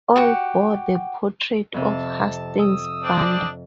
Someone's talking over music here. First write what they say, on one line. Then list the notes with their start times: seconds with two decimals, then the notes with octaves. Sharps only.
All bore the portrait of Hastings Banda.
0.16 F#4 G4 F#5
1.74 F2 C3 A5
2.59 D#6 E6
3.03 C4 D4 D5